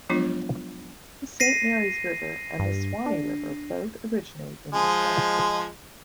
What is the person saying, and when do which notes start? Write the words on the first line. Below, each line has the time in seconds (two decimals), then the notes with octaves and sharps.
The Saint Marys River and the Suwannee River both originate in the swamp.
0.09 F3 F#3 G#3 B3 D4 F4
1.40 A#6 C7 D#7
2.59 G2
3.06 D4
4.73 F3 G#3 D#5